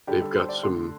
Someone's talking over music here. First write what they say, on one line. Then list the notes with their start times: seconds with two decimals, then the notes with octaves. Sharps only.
they've got some
0.07 D3 G3 G4
0.22 A4
0.36 C5
0.49 D5
0.63 D3 A3 C6